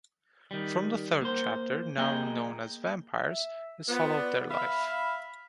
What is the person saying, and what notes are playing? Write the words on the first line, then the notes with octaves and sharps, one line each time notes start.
From the third chapter, now known as "vampires", is followed their life.
D#3 G3
A#3 C5
A#3 G#4 D#5 G5
E5
B3 F4 C5
D5
E5 F5 B5